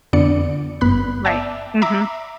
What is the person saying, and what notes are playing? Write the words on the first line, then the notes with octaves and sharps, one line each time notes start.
Right, mhm.
F2 D3 B3 D4 D5 C#7
G1 B3 B5 F#6
D5 E5 G5 A5
E5 A#5 D6